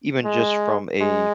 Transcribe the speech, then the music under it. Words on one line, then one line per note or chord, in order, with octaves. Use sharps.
even just from a
G#3
G#3